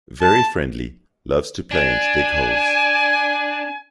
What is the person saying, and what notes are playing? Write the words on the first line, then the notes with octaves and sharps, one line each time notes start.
Very friendly, loves to play and dig holes.
A5
D4 G#5